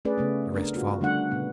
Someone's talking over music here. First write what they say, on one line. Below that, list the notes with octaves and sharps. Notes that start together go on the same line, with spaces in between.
The rest followed.
A3 C#4 G#4 B4 D5
C#3 A3 B3
A3 B3 D4 A#4
B3 F4 F#4
D3 G3 A3 D4 F#5
A#2 C#3 B3